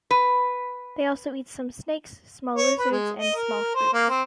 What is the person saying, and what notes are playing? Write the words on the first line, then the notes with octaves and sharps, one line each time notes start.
They also eat some snakes, small lizards and small fruits.
B4
C#5
B4
G#3
D#5
A#4
C5
A#3
C4